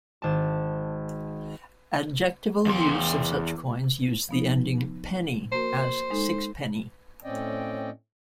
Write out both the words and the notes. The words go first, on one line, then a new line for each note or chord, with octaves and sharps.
Adjectival use of such coins used the ending -penny, as "sixpenny".
G#1 A5
E2 C6
F3 B3 D#4
A#3 F#4 A#4 C5
G#3 D#4 A4
A2 C4 C#4 D5 D#5 G5